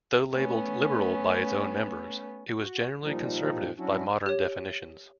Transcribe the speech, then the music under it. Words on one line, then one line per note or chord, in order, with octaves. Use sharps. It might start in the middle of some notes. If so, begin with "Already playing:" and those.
Though labeled "liberal" by its own members, it was generally conservative by modern definitions.
A3 B3 C#4
F#4
A#2 F3 G3 D#4
F#3 C#4 D4 E4 F#4
G4 C#5